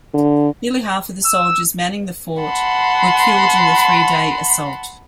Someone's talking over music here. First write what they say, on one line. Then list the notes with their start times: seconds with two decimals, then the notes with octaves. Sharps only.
Nearly half of the soldiers manning the fort were killed in the three-day assault.
0.14 D3
1.25 E6
2.40 F#5 A5 B5 C6